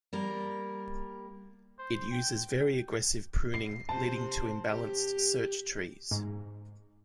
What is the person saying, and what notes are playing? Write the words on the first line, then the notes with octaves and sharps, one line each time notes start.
It uses very aggressive pruning, leading to imbalanced search trees.
G3 A#3 A#4
C5
G5
C7
C3 C5 A5
G4
G#2